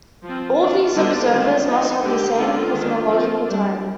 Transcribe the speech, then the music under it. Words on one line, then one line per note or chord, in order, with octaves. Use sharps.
All of these observers must have the same cosmological time.
F3 C4 F4
D#3 B3 D4 F4
D3 G3 B3 D4
D#3 G#3 C4
F3 B3 D4 D#4
D3 G#3 D4 G4
D3 G#3 B3 D4 F4
D#3 G#3 D4
F3 C4 F4
G3 D4